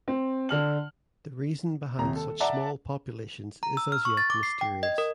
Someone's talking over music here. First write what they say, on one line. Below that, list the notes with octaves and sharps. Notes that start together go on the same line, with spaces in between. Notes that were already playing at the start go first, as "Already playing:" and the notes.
The reason behind such small populations is as yet mysterious.
C4
D3 F6 F#7
D#1 C3 A#5
A4
D5 E5 F#5 A5 A#5
A#5
E6
F6
C#6
A6
D6
C7
G5
D#5
A#4